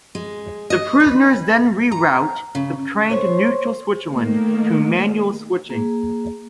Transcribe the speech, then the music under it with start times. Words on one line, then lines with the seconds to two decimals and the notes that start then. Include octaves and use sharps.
The prisoners then reroute the train to neutral Switzerland through manual switching.
0.15 G#3
0.70 D#5
1.00 B4
1.92 A#5
2.55 C#3
3.10 F#3 C5 C#5
4.10 D#3 A3 A#3
5.69 A#3 G#4